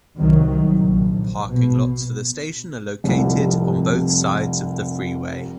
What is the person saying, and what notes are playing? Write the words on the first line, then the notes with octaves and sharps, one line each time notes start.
Parking lots for the station are located on both sides of the freeway.
C2 D#3 F#3
A#1
B2
F1 C2